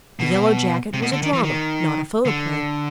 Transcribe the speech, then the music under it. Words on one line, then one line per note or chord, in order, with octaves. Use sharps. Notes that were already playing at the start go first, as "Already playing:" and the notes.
The Yellow Jacket was a drama, not a photoplay.
B2
C3
B2
D3
D#3
E3
D#3
D3